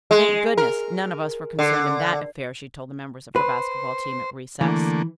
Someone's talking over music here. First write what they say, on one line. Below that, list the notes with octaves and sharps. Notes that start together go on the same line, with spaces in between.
"Thank goodness, none of us were concerned in that affair," she told the members of her basketball team at recess.
G#3
A#4
D3
B4 C5
D3 E3 A3 A#3